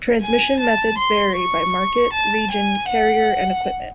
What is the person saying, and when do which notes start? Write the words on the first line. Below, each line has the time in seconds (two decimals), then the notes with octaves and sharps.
Transmission methods vary by market, region, carrier, and equipment.
0.22 G#5
0.60 A5
0.98 C6
1.36 C#6
2.12 A5
2.51 G#5
2.88 F#5